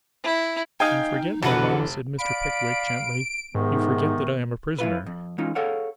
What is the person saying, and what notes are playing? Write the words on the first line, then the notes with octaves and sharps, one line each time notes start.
'You forget, my love,' said Mr. Pickwick gently, 'you forget that I am a prisoner.'
E4
D#4 D#5 F5 G5 G#5
F1 D3 E3 F#4 B4 F#5
D5 F5 B5 D7
G#2 C3 D#3 B3
F3 E4 F4 B4
F2
E3 G#3 C#4 D#4 F4
G#4 A4 C#5 F5 F#5